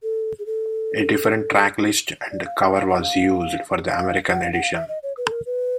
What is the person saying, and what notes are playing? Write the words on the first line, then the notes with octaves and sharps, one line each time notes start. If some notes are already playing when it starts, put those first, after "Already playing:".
A different track list and cover was used for the American edition.
A4
G#4
A4
D5
F5
E5
F5
F#5
F5
F5
F#5
F5
F#5
F5
E5
D#5
C#5
B4
A4
A#4
B4